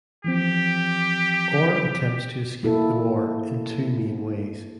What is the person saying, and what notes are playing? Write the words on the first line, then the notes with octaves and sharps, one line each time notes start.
Orr attempts to escape the war in two main ways.
E3 F3 C4 G4
A#3 E4 A4